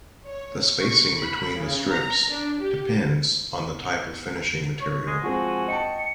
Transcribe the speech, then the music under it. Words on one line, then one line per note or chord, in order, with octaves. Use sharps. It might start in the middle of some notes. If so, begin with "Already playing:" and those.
The spacing between the strips depends on the type of finishing material.
C#5
C#6
B5
C#3
A#5
D4
G4
C#5
G#3
F3 G#3 C4 F#4 G#5
D#5 G5 A5 C#7